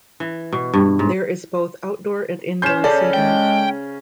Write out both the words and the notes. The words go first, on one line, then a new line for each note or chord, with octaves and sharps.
There is both outdoor and indoor seating.
E3
B2
G2
G#2
C#4 C5 G6 E7
C#3 A4 D5
G#3 G5